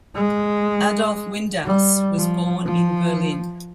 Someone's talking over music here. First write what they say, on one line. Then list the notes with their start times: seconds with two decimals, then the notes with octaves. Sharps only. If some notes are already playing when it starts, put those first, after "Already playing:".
Adolf Windaus was born in Berlin.
0.15 G#3
1.65 G3
2.15 F3
2.65 F3